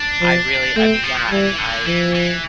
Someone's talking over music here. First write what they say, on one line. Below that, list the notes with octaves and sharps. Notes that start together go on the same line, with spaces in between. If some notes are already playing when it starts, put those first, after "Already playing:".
I really I mean, yeah, I mean I even
Already playing: D4
F3
A3 C4
F3
E3 G3
D3
E3 F3
E3